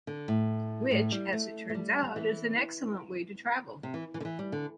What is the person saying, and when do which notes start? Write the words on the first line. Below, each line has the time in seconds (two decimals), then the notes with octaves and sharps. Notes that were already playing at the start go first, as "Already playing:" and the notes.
Which, as it turns out, is an excellent way to travel.
0.07 D3
0.28 A2
0.91 A2
1.12 G3
1.33 A3
1.70 A3
1.74 G3
2.16 E3
3.83 C3
3.94 E3
4.14 E3
4.20 D3
4.25 E3
4.39 G3
4.52 D3